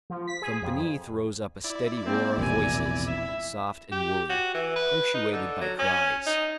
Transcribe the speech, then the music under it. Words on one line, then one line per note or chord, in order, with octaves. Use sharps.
From beneath rose up a steady roar of voices, soft and woolly, punctuated by cries.
F3
B6
G#4
F2
E4 D5
A#3 C4
E1 A#1 C3 A#4 G#5
E4 E5
G4
F#4
E3
B4
D#4
D3
F#3
C#4
D#4